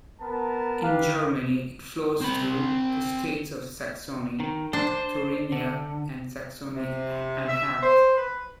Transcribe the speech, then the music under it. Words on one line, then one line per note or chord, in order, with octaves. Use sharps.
In Germany, it flows through the states of Saxony, Thuringia and Saxony-Anhalt.
B3 A#4 A5
G4 B4 F5
C4 B5
D#3
D4 C5
D4
D3
C3
E5
C5
B4